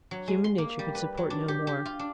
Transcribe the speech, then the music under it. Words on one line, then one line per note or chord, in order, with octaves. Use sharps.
Human nature could support no more.
F#3
G#3
C6
A#3
G3
B4
F#3
D4
G4
G4
F4
D4